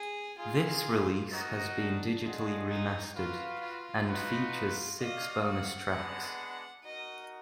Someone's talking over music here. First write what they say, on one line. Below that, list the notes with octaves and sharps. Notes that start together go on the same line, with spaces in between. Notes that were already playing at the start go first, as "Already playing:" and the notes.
This release has been digitally remastered, and features six bonus tracks.
Already playing: G#4
G#3 D#4 F4 G#4
D#4 F#4 A#4 D#5
D4
F4 G#4 D#5 F#5
D#4
F4 F#4 B4 F5
F4
B3 D#4 F#4 B4
F#4 D5 D#5 F5
F#5
G#3 B3 D4
D#4 F#4 A#4 D#5